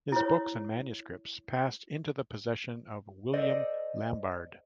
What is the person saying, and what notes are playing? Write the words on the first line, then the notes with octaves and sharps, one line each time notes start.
His books and manuscripts passed into the possession of William Lambarde.
E4 C#5
A4 C5 D5 D#5